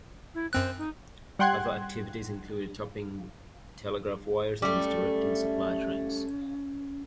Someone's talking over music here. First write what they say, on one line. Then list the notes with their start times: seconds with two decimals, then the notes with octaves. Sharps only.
Other activities included tapping telegraph wires and misdirecting supply trains.
0.34 E4
0.53 F#2 C4 C5 F#6
0.78 D#4
1.39 G3 F#5 G5 C6 F#6 G#6
4.62 G3 A3 C#4